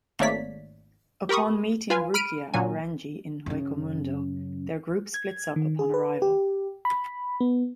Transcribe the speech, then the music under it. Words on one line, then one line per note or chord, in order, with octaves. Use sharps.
Upon meeting Rukia and Renji in Hueco Mundo, their group splits up upon arrival.
G#1 A3 A#3 C#5 D5 B6
G4 A#4 B5 C#6 D#6
F4 B4 G#5
B5 F6 D7 D#7
A#2 F#3 G#5
F#2 C#3
G#6
D#3
G#4
B4
G4
B5
B3